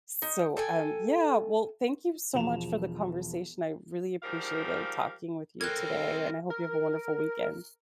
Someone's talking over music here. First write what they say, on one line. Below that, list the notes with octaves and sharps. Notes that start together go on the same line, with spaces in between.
So, um, yeah, well, thank you so much for the conversation, I really appreciated talking with you today, and I hope you have a wonderful weekend.
D#4
A4 G5 G#5
E1 F3 E7 F7
G#2 F3 G3 A#4 F5
G3 C4 A4 A#4 F#6 G#6
A#4